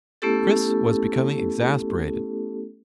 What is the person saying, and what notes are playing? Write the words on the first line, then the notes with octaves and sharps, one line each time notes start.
Chris was becoming exasperated.
A3 B3 C#4 E4 G4 A4